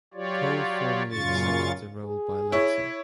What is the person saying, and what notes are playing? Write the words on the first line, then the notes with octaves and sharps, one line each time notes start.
Cole formally accepted the role by letter.
F#3 F4 G4 C#5 D5
F#2 A#2 C#3 F4 C#6 A6
G#4
E4 C#5